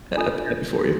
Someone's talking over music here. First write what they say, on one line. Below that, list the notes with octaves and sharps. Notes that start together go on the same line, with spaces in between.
Hap happy for you.
D4 F4 A4